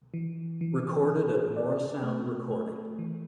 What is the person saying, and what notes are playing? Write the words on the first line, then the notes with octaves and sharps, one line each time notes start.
Recorded at Morrisound Recording.
E3
E3
G#4
D5
A3
A3
E3